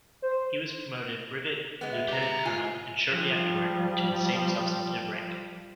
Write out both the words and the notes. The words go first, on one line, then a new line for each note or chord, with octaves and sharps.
He was promoted brevet lieutenant-colonel and shortly afterwards to the same substantive rank.
C5
G#3 B3
E5
G4 A#5
F4 G#5
F3 G3